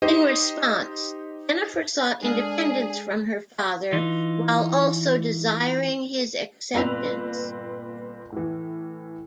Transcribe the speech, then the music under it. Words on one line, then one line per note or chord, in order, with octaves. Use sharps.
In response, Jennifer sought independence from her father, while also desiring his acceptance.
D#4 G4 C5 D#5
G#3 D4 G#4 A4 F5
E3 D#4 F4
G1 A#2 C4 B4 E6 F7
A2 E3